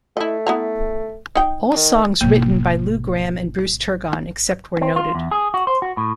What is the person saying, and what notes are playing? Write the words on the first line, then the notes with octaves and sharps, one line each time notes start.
All songs written by Lou Gramm and Bruce Turgon except where noted.
A3 E4 D#5
B3 E4 A#5
D#4 G5
D#3
G#1 B2 A#3
C4
F4
E2
G#4
F#4
C5
F#4
A2